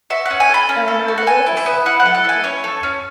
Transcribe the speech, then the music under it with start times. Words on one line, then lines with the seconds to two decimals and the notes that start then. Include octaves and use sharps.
There are no laws as such in the Culture.
0.10 F#4 E5
0.26 C#4 F#5
0.40 G#5
0.49 A4 B5
0.69 C#4
0.88 A4
1.08 F#4
1.18 F#5
1.27 A4 G#5
1.47 E4
1.57 E5
1.66 B3
1.86 E4 F#5
2.00 F#5
2.06 A4
2.15 F#5
2.24 E4 G#5
2.44 C#4 C#5
2.64 A4
2.83 C#4